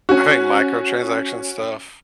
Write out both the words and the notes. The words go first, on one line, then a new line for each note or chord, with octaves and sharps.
I think microtransaction stuff
C#4 F#4